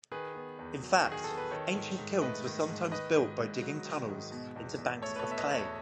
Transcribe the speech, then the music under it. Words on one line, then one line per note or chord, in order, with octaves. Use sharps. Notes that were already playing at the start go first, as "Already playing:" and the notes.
In fact, ancient kilns were sometimes built by digging tunnels into banks of clay.
D#3 G#4 B4
B3
E2
F#3
F#4
D#3
G#4
B3 A4
B4
D#3 A4 C#5
G#2
G#2
A3 B4 D#5
D#3
G#2
D#3 B4 D#5
G#2
G#2
F#3
D#3
G#2
B2
E2
E2
A3 A4 C#5
B4
A4 C#5
B2
E5
B4 D#5
E2
A4 C#5